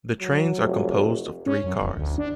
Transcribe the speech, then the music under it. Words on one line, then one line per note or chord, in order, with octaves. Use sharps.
The trains are composed of three cars.
F#3
F1
C#4
F#2
F1
D2
D4